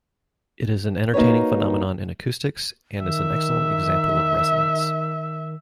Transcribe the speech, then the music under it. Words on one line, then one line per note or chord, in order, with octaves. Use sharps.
It is an entertaining phenomenon in acoustics and is an excellent example of resonance.
A#3 D#4 F#4 B4 C#5
D#3 E5